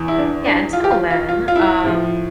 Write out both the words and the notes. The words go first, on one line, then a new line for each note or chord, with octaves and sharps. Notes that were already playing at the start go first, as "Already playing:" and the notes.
Yeah, until then, um
Already playing: E2 E3
E4
D4
D4
F4
G4
F4
F4
F4
F4
E4
A2 F3